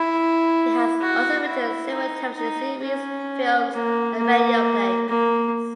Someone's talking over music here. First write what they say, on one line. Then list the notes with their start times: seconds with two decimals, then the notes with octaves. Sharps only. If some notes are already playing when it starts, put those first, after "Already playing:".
He has also written several television series, films and radio plays.
Already playing: E4
1.01 F#4
1.47 E4
1.92 D#4
2.37 D#4
2.83 C#4
3.73 A#3
4.18 A#3
5.08 A#3